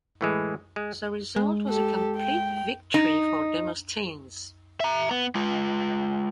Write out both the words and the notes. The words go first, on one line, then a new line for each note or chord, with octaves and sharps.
The result was a complete victory for Demosthenes.
A2 E3 G#3
G#3
G#3
G4 A4
G5
D#4
E5 A#5
B3
G#3 F4